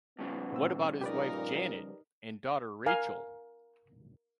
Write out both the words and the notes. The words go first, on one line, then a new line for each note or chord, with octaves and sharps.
What about his wife Janet and daughter Rachel.
G2 C#3 F3 B3
A#2 C4 E6
A#2 D#4 G4 A#4 B4 D5
A#4 F5 G#5